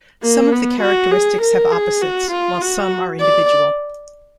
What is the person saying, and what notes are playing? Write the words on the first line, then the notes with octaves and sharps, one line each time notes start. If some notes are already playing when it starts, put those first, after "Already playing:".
Some of the characteristics have opposites, while some are individual.
A#3
B3
F#4
G#4
A#4
G#4
F#4
F4
F#4
D5